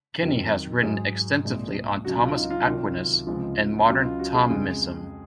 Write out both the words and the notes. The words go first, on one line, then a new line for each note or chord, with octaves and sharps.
Kenny has written extensively on Thomas Aquinas and modern Thomism.
F2 D#3 F#3
G#2 F#3 G#4
C2 A#2 G#3
C#2 C#3 F#3 F#4
F4
D#4
F4
C2 C3 D#3 F#3 F4
C#2 C3 F3 G#3
C#2 C#3 F#3 F#4
F4
F#4
G#4
F2 C#3 G#3